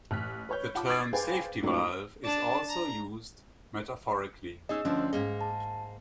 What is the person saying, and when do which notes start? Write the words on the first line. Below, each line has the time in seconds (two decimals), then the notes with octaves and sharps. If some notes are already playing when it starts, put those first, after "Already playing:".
The term "safety valve" is also used metaphorically.
0.11 A1 F6 F#6 B6
0.49 B4 C#5 G6
0.75 F4 F#5 A5 B5 D6 G6
0.89 D6 G#6 A6 C7 D7
1.13 G#4 B4 C5 F5 G5 G#5
1.63 A2 F#3 A#3 C#4 D#4 F4
2.24 D4 A5
2.69 A#5
4.69 C#4 D#4 G#4 D#5 E6
4.85 D2 F3 C#4 D4
5.13 G#2 A#3 G#4 D#5
5.41 A5